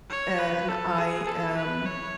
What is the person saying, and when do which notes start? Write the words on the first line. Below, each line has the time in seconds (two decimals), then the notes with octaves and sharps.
and I am
0.10 C#5
0.39 B4
0.69 A4
0.98 G#4
1.27 A4
1.57 B4
1.86 C#5